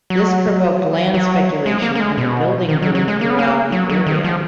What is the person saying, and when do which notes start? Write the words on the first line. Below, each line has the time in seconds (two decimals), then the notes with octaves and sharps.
This provoked land speculation and a building boom throughout the area.
0.10 F#3
1.14 F#3
1.66 G#3
1.82 A#3
1.95 A#3
2.00 G#3
2.18 B2
2.69 D#3
2.82 F#3
2.95 F#3
3.08 G#3
3.21 A#3
3.30 B3
3.39 A#3
3.72 F#3
3.90 F#3
4.07 D#3
4.24 F3